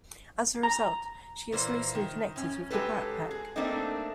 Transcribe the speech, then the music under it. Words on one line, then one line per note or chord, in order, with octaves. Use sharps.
As a result, she is loosely connected with the Brat Pack.
A#5
A#2 E3 A#3 C5
D#3
F#2 C#4
F#3 G#3 D#4 G4 A4 B4
G#4
A3 A#3 C4 D4 D#4